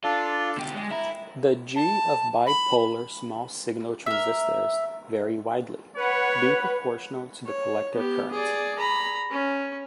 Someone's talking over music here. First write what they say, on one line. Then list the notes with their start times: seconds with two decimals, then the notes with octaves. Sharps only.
The g of bipolar small-signal transistors varies widely, being proportional to the collector current.
0.04 D4 F4 A4 D5
0.58 B2 G4
0.74 G#3
0.92 E4 A#5
1.76 A5
2.46 B5
4.06 A#4 E5
5.97 B4 C#5 F#5
7.46 C#5
7.94 B3 G4
8.31 G#4 D5
8.79 A#5 B5
9.31 C#4